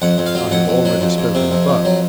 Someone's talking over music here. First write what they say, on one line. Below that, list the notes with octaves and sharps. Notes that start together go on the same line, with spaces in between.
I have already spoken above.
F2 F#5
F2
F5
F#3
F2 F#5
F2
F#3
F2
F2
C3
F2
F2
F#3